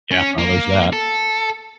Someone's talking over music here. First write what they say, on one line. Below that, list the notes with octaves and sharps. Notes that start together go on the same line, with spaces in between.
Yeah, well, there's that.
C#4
A#3
A4